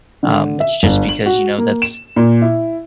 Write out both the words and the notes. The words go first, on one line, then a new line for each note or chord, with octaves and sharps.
Um, it's just because, you know, that's
D3
E5
G1
F#7
F#4
A#3
E7
A#2
E4